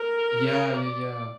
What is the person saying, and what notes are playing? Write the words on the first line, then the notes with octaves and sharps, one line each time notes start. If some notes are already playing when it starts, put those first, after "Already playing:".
Yeah, yeah, yeah.
Already playing: A#4
D5